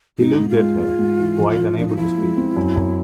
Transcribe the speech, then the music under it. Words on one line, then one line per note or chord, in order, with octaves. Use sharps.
He looked at her, quite unable to speak.
G#2 D#4
G#2
F4
G#3
G#3
G#2
E3
F3
F3
F3 D4
D#4
F3 E4
G#3
C4
F#2
F#2